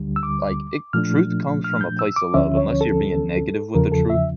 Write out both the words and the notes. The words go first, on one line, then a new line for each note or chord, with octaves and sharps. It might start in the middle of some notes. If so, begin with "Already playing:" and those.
like, it truth comes from a place of love- unless you're being negative with the truth-
Already playing: D2 D3 G3
E6
D6
A#2 F3 A3 D4 F6
F6
G6
E6
D6
D2 D3 F3 C#4 E5
C#5
A4
E2 C#3 F3 A#4
A4
E5